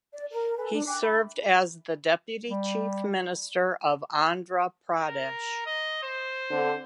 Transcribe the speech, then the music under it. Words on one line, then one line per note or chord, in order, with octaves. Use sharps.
He served as the Deputy Chief Minister of Andhra Pradesh.
D5
A#4
A4 B4 G#5
D4
G5 G#5 D6 F#6
E5 B5
G3
A#4
D#5
C5
D3 C4